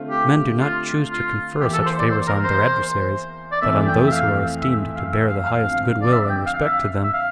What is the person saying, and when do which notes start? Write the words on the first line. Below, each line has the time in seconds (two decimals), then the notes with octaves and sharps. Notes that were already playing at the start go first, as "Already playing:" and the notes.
Men do not choose to confer such favors on their adversaries, but on those who are esteemed to bear the highest good-will and respect to them.
Already playing: D3 A3 C4 F4
0.10 G4
0.60 F4
1.11 F4
1.61 E2 E3 A#3 E4 G4
1.73 A4
1.86 C5
1.99 D5
2.11 C5
2.28 A#4
2.44 C5
3.52 D5
3.62 F2 E3 A3 C4 E5
3.87 G5
4.07 E5
4.11 F5
4.63 E5
4.96 F5
5.12 E5
5.29 F5
5.46 F5
5.63 D3 F3 C4 F5
6.02 D5
6.12 E5
6.30 G5
6.46 F5
6.63 E5
7.04 E5
7.13 F5